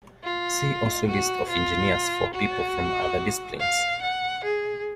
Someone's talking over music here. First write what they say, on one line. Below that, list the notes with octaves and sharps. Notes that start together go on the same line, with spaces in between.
See also List of engineers for people from other disciplines.
F4
F#4
F4
F#4
F5
F#5
G#4